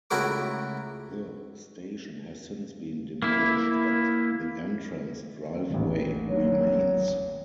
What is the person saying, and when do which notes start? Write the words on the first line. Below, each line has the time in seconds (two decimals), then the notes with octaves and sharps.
The station has since been demolished but the entrance driveway remains.
0.11 C#2 A3 E4 F#4 A#4 D6
3.22 A#3 E4
5.69 D#1 A1
6.26 F#3